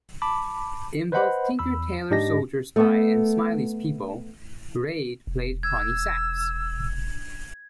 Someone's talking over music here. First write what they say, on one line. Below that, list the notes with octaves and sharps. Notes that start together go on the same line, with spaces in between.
In both "Tinker Tailor Soldier Spy" and "Smiley's People" Reid played Connie Sachs.
A5 B5 D6
B4 C5 D#5 F#5 B5
E2 B5 E6
G#2 D4 G4 D#5 A#6
A3 B3
E1
E6 G#6